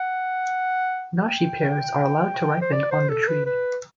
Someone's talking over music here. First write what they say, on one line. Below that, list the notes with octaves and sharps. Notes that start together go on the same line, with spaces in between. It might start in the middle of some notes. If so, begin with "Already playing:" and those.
Nashi pears are allowed to ripen on the tree.
Already playing: F#5
G5
C5
D5
C5
A4
B4
B4